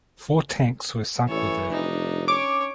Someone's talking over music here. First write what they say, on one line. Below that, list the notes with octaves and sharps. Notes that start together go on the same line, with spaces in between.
Four tanks were sunk with her.
A1 E3 A4 C#5
F1 D4 D#4
C#4 C#5 D6